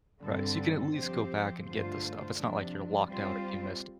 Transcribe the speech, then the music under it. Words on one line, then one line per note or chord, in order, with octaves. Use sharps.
Right. So, you can at least go back and get the stuff, it's not like you're locked out if you missed it.
G2 D3 G3 C4 A4
F3 C4 G4 C5
G2 D3 A3 F4 C5
C3 F3 D4
G3 C4 F4 C5